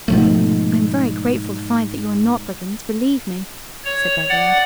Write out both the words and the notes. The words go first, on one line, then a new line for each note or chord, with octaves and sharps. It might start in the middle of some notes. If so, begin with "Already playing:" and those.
"I am very grateful to find that you are not brigands, believe me," said Beverly.
G#2 B2 F3 G#3 A3 D#4
C#5
D5 F#5